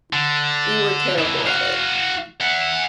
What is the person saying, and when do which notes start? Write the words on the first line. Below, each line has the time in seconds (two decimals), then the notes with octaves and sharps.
We were terrible at it.
0.13 D3
1.18 D#2 E3
1.47 F#4 F5
2.41 E5 F#5